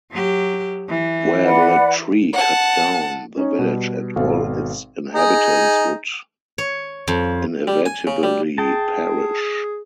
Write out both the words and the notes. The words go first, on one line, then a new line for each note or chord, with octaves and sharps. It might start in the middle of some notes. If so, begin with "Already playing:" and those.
Were the tree cut down, the village and all its inhabitants would inevitably perish.
F#3 G4
E3
B4 D5 F#5
F#5 A5
C#4 D#4 C#5
B2 G3
G#1 B2 A4 F5
D#4 G#4
C#5
F2
G3
G#5
C#3
G3
G#4 G5 A5